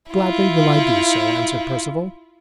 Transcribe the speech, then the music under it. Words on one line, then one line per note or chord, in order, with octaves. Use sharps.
"Gladly will I do so," answered Perceval.
E4 F4